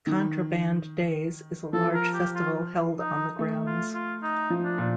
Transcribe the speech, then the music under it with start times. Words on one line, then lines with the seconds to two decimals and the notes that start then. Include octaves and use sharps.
Contraband Days is a large festival held on the grounds.
0.07 D#3
1.73 F3 A4
1.94 A#4
2.14 G4
2.35 F4
2.98 D#4
3.39 A3
3.67 F4
3.94 F4
4.23 D#4
4.50 F3
4.64 D4
4.78 A#2